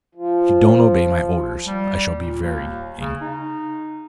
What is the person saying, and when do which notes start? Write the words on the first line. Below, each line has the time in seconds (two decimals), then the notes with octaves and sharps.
If you don't obey my orders I shall be very angry.'
0.15 F3
1.67 G3
2.18 A#2
2.42 D#2
2.98 C#3
3.21 D#4